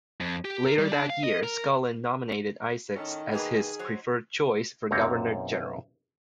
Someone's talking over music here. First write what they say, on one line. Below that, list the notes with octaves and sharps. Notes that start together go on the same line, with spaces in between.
Later that year, Scullin nominated Isaacs as his preferred choice for governor-general.
F2
G4
A#4
G3
D4
F5
D#5
A#4
A2 D#3 C#4 A4
B2 A#3 G#4 B4
F#3 C5
B1 F#2 A#3 C4 C#5 A#5